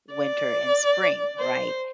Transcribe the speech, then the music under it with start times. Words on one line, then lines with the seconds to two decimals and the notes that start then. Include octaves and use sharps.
winter and spring, right?
0.14 D5
1.40 C5